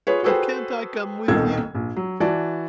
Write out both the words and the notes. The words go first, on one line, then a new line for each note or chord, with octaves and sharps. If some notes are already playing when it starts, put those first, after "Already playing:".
"And can't I come with you?"
F4 G#4 B4 C#5
F#4 G#4 A4 B4 C5 G5
D#1 C2 B2 D#3 A4 G#6
A#1
F#3
E3 F#4 D5 A5